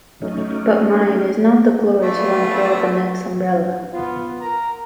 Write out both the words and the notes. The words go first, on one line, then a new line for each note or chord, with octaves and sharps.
But mine is not the glory to unfurl the net's umbrella.
F#3 A3 C#4 D#4
A3 B3 C#4 D4 E4 F4
B3 F4
A#4 A#5